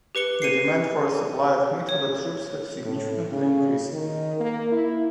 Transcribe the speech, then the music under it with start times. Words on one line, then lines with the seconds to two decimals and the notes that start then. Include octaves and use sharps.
The demand for a supply of meat for the troops had significantly increased.
0.15 G4 B4 C#7 G7
0.42 C7 C#7 D#7
1.89 C#5
2.84 A2
3.32 C#3
3.92 D#3
4.40 A#3
4.72 E4